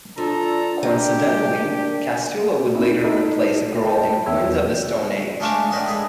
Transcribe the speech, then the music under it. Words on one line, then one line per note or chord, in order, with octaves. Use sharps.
Coincidentally, Castillo would later replace Grohl in Queens of the Stone Age.
F3 D4 A4 A#5
A#3 G4 G5
C4 D#4 E4 F#4
D#4 E4 A4 D#5
C5 D#5 G5 A5
E2 C#5 E5 G5 E6 G#6
G#3 A3 D4 F4 C#6 D6
A2 D#3 D4 B4 D#5 C6
G#4 A4 B4 D#5